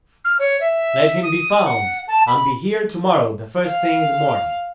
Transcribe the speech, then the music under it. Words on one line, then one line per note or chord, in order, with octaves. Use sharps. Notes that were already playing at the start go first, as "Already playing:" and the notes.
"Let him be found, and be here to-morrow the first thing in the morning."
F6
C#5
E5
D#6
F#5
A5
B5
F5